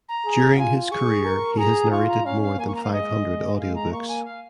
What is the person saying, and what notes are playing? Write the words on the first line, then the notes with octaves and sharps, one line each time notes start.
During his career he has narrated more than five hundred audiobooks.
A#5
G#4
F5
F4 G#5
G#4 C#6
A#4
G#4 A#5
F4 C#6
A#5
C#4 F5
F5
A#3 G#5
C#6
A#5
F5
G#3 D#5
F5
A#5
A#3 C#6
G#5
F5